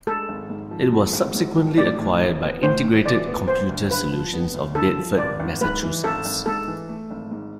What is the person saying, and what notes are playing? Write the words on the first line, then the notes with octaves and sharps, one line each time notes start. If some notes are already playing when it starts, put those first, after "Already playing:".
It was subsequently acquired by Integrated Computer Solutions of Bedford, Massachusetts.
G#3 A4
G#1
G#2
F3
G#3
G#1
G#2
F3
A2 D5
A2
E3
B3
A2 C5
A2
E3 D5
B3
B3 C5
D2
D3 B4
F3
B3
D2
D3 A4
F3
G#1 D5
G#1
G#2 B4
E3
G#1 A4
G#1
G#2 A4
E3
A3
G#1
G#2